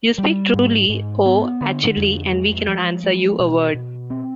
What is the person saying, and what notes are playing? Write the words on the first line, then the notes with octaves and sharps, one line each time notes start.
You speak truly, O Achilli, and we cannot answer you a word.
G3
G#2
G#2
B3
D3
F2
G#3
F3
G#3
B2
B2
C4